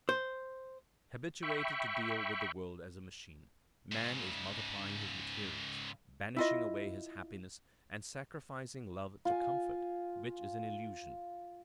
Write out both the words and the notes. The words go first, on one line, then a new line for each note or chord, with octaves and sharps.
Habituated to deal with the world as a machine, man is multiplying his materials, banishing away his happiness and sacrificing love to comfort, which is an illusion.
C5
E5 G5 B5 C#6
G#2 C#3
E4 F4 D#5
F4 G#5